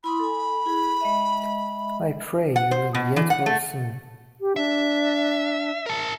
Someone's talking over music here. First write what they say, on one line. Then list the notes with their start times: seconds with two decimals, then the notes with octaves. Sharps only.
I pray you will get well soon.
0.04 E4 B5 C6 D#6
0.20 A4 G#5
0.66 E4 G#4
1.01 G#3 D#5 E5
2.56 F#5
2.71 C5
2.95 B2
3.16 E3
3.30 F#5
3.46 A3
4.41 G4
4.56 D4 E5
5.86 A#4 A5